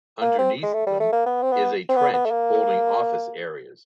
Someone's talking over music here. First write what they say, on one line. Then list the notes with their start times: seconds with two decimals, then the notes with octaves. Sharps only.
Underneath them is a trench holding office areas.
0.21 A#3
0.39 C4
0.63 G#3
0.74 A3
0.87 G3
1.00 A3
1.13 A#3
1.26 B3
1.42 C4
1.52 B3
1.89 C4
1.96 B3
2.14 B3
2.26 A3
2.31 A#3